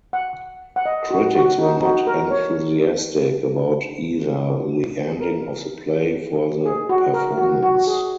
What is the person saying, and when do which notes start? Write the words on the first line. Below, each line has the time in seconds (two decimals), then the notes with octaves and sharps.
Critics were not enthusiastic about either the ending of the play or the performance.
0.13 F#5
0.76 F#5
0.86 D#5
1.11 F#4
1.35 F#4
1.58 D#4
1.77 D#4
1.83 F#4
2.07 A#4
2.31 C#5
5.20 A#4
6.66 G#4
6.89 F#4
7.14 A#4
7.38 F#4
7.63 F#4
7.75 F#4
7.87 G#4